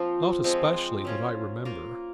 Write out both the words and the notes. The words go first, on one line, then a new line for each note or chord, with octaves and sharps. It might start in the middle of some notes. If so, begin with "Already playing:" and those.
"Not especially, that I remember."
Already playing: F3 A#3 C4 F4
F3 G#3 C4
F#3 C#4 F4
A#3 F4 A#4